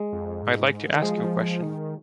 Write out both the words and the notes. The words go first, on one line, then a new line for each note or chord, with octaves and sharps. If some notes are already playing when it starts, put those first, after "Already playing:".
I’d like to ask you a question!
Already playing: G#3
F2
G#2
D#3
F3 G#3
F3
D#3